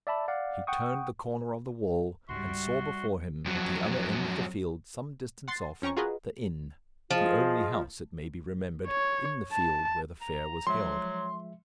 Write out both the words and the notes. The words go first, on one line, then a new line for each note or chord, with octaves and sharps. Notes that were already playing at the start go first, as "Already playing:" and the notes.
He turned the corner of the wall, and saw before him, at the other end of the field, some distance off, the inn--the only house, it may be remembered, in the field where the fair was held.
D5 E5 A5 B5
D5 F5 F#5
F#5 G5 C#6 D#6
C#2 G#2 G3 F#4 E5 C6
F2 F#3
F#5 C6 A6 C7
F2 C#4 G5 A#5 C#6
F4 F#4 G#4 A#4 B4 D#5
F3 F4 G#4 D#5
C#5
A5
A#5
F3 F#3 G#3 E5 C6